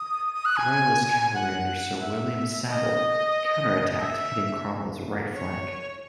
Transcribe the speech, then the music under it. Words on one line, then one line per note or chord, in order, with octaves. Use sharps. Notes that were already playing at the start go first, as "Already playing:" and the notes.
Royalist cavalry under Sir William Savile counterattacked hitting Cromwell's right flank.
Already playing: D#6
D#6
F#6
G#5
F#5
E5
D#5
D#5
E5
C#5